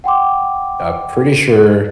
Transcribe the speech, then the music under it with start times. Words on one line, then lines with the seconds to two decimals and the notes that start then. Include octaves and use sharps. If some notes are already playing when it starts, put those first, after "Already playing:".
I'm pretty sure
0.04 F#5 G5 C6 D6